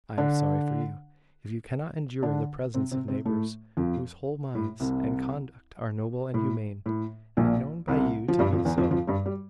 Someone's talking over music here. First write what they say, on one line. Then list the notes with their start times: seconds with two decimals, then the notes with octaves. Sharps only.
I am sorry for you, if you cannot endure the presence of neighbours whose whole minds and conduct are noble and humane, and known by you to be so.
0.18 D3 D4
2.23 D3 D4
2.74 C3 C4
2.91 C3 C4
3.08 C3 C4
3.25 A2 A3
3.77 F2 F3
4.55 A2
4.80 C2 C3
6.34 A2
6.86 A2
7.37 A#1 A#2
7.88 C2 C3
8.28 F3
8.39 G2 G3
8.52 F2 F3
8.65 E2 E3
8.78 F2 F3
8.91 F2 F3
9.07 G2 G3
9.26 G3